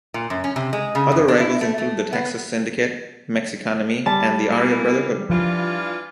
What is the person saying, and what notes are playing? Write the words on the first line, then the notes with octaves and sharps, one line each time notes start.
Other rivals include the Texas Syndicate, Mexikanemi and the Aryan Brotherhood.
A#2
F#2
C#4
C3
G#3
C#3
F#2
D4
E4
A3
A3
B3
G3 A5
E3 A#3
E3 F3 D4 F4